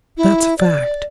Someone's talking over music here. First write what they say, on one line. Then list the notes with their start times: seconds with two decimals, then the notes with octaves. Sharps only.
That's a fact!
0.17 E4
0.57 D5